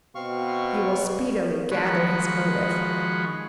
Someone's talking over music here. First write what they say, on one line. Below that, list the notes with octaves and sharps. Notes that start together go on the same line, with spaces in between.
You will speedily gather his motive.
B2 C4 F5 C#6
D#3 F3 G#3 F#4 B5 C#6